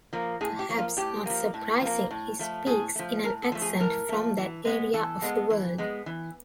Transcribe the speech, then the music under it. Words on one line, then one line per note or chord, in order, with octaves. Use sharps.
Perhaps not surprising, he speaks in an accent from that area of the world.
F3 A#3
A2 G#4
G4
F3 A#3
F4
A2 G4
F3 A#3
A2
F3 A#3
A2
F3 A3
A2 G#4
F3 A3
A2 A#4
A4
F3 A3
G#4
A2 A#4
F3 A3
E3
G#3 B3
E3 A4
G#3 B3
E3
G#3 B3
E3